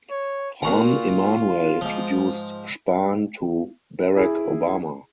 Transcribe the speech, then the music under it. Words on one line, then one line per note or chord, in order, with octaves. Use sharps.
Rahm Emanuel introduced Spahn to Barack Obama.
C#5
A#2 F4 F#4 A#5
G#2 F3
E4 G#4